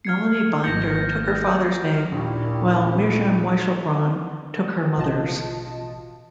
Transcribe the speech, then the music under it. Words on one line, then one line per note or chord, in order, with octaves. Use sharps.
Melanie Binder took her father's name, while Mirjam Weichselbraun took her mother's.
F6 G#6 C7 C#7
G#1 A#3 G6 A#6 C#7
A#1 D#2 A#2 E4 G4
A1 B2 F4 D#5 A5